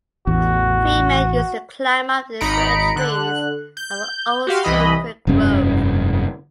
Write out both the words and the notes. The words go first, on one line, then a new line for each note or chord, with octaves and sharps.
Three men used to climb up the fir-trees of an old sacred grove.
A1 E2 F#4
G#1 D#4 A#5 B5 C#7 D7
D3 F#6
G6
F#4 G4 F5 C6
C2 E3 D#5 B5
F1 G2 C#3 C#4